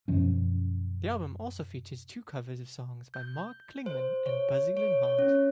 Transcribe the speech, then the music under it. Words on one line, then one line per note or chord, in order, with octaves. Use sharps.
The album also features two covers of songs by Mark Klingman and Buzzy Linhart.
F#2 B2 F3 C#4
G6
C5
C#5
C#5
C#5
C#4